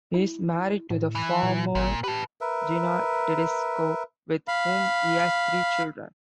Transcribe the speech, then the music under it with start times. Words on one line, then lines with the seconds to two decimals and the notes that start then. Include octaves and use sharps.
He is married to the former Gina Tedesco with whom he has three children.
0.14 E4
0.90 A2
1.15 E3
1.43 A#2
1.75 G#1 A#2
2.04 G4 B4 A5
2.41 A#4 B4 E5
4.48 F5 B5